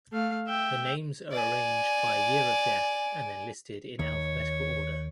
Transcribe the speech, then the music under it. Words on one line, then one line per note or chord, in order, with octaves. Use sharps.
The names are arranged by year of death and then listed in alphabetical order.
A3 F5
E5 G5
D5 G#5
D#2 C#5